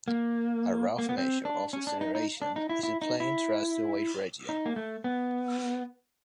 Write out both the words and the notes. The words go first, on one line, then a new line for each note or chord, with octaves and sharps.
A rough measure of acceleration is a plane's thrust-to-weight ratio.
A#3
A#3
B3
C4
D4
C#4
D4
D#4
D#4
D4
D#4
E4
E4
D#4
E4
D#4
A#3
A3
B3